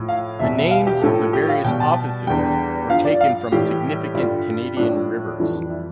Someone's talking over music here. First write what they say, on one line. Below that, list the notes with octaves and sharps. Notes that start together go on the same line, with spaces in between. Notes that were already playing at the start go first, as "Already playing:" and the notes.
The names of the various offices were taken from significant Canadian rivers.
Already playing: A2 F3
F5
E2 B2 G3 E5
E5
F5
G4
A2 F3 A4
G4
F5
B2 G3 G5
A5
E2 D3 G3 G5
G2 F3 F5
D5
F5
A2 E3 G3 G4
G2 D3 G3 F4
A2 F3 D4
F2 E3 G3
E4